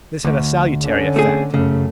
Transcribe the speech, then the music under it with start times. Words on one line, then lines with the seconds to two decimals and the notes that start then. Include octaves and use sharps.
This had a salutary effect.
0.25 D2
0.82 D3 C#4
1.16 A3 C4 G#4
1.54 F#2 C#3 A3